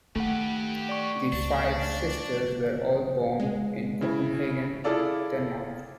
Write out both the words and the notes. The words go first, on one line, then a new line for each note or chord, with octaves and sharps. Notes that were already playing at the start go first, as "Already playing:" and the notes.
The five sisters were all born in Copenhagen, Denmark.
D#3 A3 G4 B4 F#5
D5 C#6
C#2 D4
G#3
C#3 E4
E4 F4 G#4 A4 D5 F5